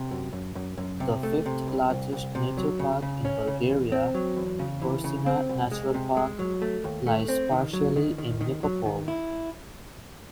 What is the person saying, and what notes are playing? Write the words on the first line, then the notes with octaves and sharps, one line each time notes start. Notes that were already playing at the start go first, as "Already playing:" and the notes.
The fifth-largest nature park in Bulgaria, Persina Natural Park, lies partially in Nikopol.
Already playing: C3
F#2
F#2
F#2
F#2
C3
A3
C3
C2
C2
C2
C3
F#3
C#3
C#3
C#4
C#3
E2
C4
F#3
E2
C#3
E3
C#3
C4
C2
G#3
C3
G#3
F#3
A3
D#2
A3
C4
D#3
F#3
D#3
D#3
D#3
F#3
D#3
E4